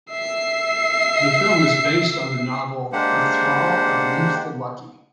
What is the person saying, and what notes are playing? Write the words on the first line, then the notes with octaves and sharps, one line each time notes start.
The film is based on the novel "The Thrall of Leif the Lucky".
E5 C7
G#3 A#3 D4 G4 C5 F#5